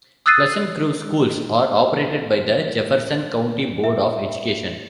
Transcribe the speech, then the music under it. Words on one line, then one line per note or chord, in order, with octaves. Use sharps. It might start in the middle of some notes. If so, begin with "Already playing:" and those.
Pleasant Grove Schools are operated by the Jefferson County Board of Education.
D#6 E6 F#6 A6 C7 D#7
E5